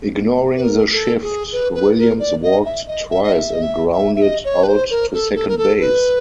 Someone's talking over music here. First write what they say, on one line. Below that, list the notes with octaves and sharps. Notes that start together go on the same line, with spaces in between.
Ignoring the shift, Williams walked twice and grounded out to second base.
B4
A#4
A4
G#4
B4
B4
A#4
D5
D#5
E5
D#5
E5
D#5
E5
D#5
E5
E5
E5
D#5
C#5
B4
C5
A#4
A4
A4
A#4
A4
B4